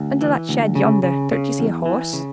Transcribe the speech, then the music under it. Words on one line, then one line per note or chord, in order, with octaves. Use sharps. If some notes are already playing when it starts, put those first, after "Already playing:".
"Under that shed yonder, don't you see a horse?"
Already playing: D2
E3
D2
C#3
C#3
C#3
E2
E3
C#3